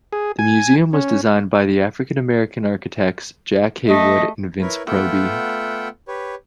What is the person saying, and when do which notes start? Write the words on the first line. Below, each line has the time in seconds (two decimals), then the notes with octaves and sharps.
The museum was designed by the African-American architects Jack Haywood and Vince Proby.
0.13 G#4
0.39 G#5
0.93 C#4
3.89 A3 D#5
4.62 E4 A#4 B4 C#5
4.87 A3 B3 F4 E5 F#5 G5
6.08 G4 B4 C#5